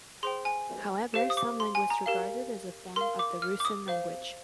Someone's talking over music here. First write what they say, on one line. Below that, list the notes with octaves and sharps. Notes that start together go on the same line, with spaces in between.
However, some linguists regard it as a form of the Rusyn language.
G#4 C5 G5 C6
G#5
G4 C5 F5
D#6
D6
C6
G#5
A#5
G4 A#4 F5
A#4 F5 C6
D6
F6
D6
D#6
C5 F5